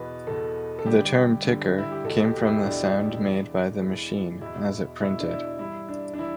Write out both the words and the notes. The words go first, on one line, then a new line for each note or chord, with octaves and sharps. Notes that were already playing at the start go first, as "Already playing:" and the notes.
The term "ticker" came from the sound made by the machine as it printed.
Already playing: E2 B2 B4
E2 B2 A4
A4
G2 D3 G4
G2 D3
E4
G4
E2 B2 A4
G4
G4
E4
E2 B2 D4
E2 E3
E2 E3
E2 B2 E4
E2 B2 E4
D4
E4
G2 E3 E4
D4
D4
E3 E4